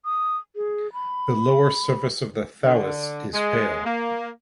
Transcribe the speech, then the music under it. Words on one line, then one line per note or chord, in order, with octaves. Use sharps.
The lower surface of the thallus is pale.
D#6
G#4
B5
D3
G#3
A#3